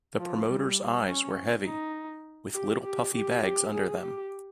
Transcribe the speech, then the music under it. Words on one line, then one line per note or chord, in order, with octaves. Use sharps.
The promoter's eyes were heavy, with little puffy bags under them.
F3
G3
C#4
D#4
G4
G4
G4
G4
G#4
G4